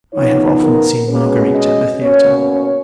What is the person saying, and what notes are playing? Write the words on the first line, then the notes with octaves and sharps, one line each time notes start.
I have often seen Marguerite at the theatre.
C#3 F3 B3 D#4 C#5
A#4
B2 G#3 C#4 B4
D#5
B2 A#3 C#4 C#5
C#5